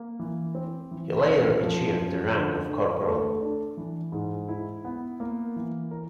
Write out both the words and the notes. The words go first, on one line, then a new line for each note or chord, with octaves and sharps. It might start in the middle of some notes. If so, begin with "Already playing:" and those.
He later achieved the rank of Corporal.
Already playing: A#3
E3
C4
E3
F#2
F3
F#2
D3
D3
A3
D4
E3
G#2
E4
B3
A#3
E3
A#4